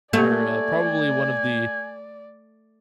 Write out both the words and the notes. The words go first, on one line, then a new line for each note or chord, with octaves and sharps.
are, uh, probably one of the
A3 A#3 G4 D5 G#5